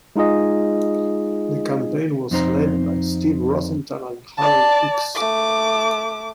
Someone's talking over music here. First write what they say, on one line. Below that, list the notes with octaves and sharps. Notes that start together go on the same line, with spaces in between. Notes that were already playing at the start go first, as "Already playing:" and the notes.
The campaign was led by Steve Rosenthal and Harold Ickes.
G#3 D#4 F4 G#4 D#5
F2 C4 D#4 C5 A#5
D5 A5
A3 D6